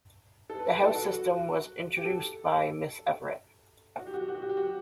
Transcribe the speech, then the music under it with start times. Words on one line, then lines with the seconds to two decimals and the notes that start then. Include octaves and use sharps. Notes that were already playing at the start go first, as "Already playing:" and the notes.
The House System was introduced by Miss Everett.
0.50 A4
0.59 B4
0.71 A4
0.83 A4
0.95 F#4
1.08 F#4
1.97 G4
2.05 A4
3.99 F#4
4.07 G4
4.14 F#4
4.20 G4
4.28 F#4
4.35 G4
4.42 F#4
4.49 G4
4.57 F#4